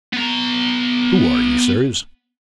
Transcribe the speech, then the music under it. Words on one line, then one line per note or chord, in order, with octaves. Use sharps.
"Who are you, Sirs?"
B3 A#5